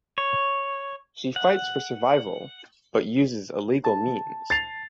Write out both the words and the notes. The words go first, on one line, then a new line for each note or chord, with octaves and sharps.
She fights for survival but uses illegal means.
C#5
F#5
A5
A6 C7 F7